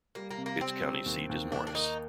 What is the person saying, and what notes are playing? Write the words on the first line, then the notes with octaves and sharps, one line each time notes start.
Its county seat is Morris.
G3 A#3
A#3
C3
A#3
G3 C4
C3
D#2
D#2
D#2 D4
D4
A#3 D#4